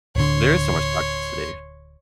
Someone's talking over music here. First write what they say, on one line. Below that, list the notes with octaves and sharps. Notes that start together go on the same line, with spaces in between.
There is so much toxicity,
D1 D3 C#5 C6